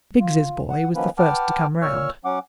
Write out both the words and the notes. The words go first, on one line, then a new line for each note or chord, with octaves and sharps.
Biggs's boy was the first to come round.
F4
F#5
D#3 F3 F#3 A#3 C#4 B4
B4 F#5 G5 A5 D6 F6
A#2 C#5 C#6 E6 F6
F#3 C#4 F#5 D6